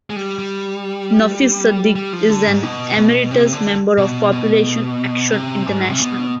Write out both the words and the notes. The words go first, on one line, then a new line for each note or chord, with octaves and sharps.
Nafis Sadik is an Emeritus Member of Population Action International.
G#3
G3
G3
G3
F3
D3
G#2
B2
B2
C3
D3
B2
B2
C3
G#2
C3
B2